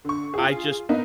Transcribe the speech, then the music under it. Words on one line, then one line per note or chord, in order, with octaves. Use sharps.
I just
D3 C#6
F4 G#4
A#3 B3 D#4